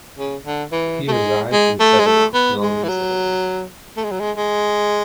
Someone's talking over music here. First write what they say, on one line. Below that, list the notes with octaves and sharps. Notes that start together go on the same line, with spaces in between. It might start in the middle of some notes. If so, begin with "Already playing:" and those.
He resides in Settimo Milanese, Italy.
C#3
D3
E3
A3
G#3
G#3
A3
G#3
A3
B3
G#3
E3
F#3
A3
G#3
F#3
G#3
G#3